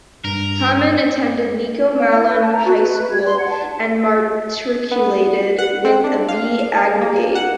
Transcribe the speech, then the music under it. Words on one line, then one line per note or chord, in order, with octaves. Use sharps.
Hamann attended Nico Malan High School, and Matriculated with a B aggregate.
G2 A#4
F5
E4
B4
A5
A#5
F#4
B4
B4
G#6
C6
F#5
A5
B3
F#5
C4
D4
F5
F5
A#3
F#5